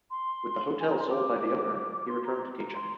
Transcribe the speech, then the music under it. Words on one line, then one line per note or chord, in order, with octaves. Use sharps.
With the hotel sold by the owner, he returned to teaching.
C6
G#5
A#5
C6
D6
C6
A#5
A#5
C6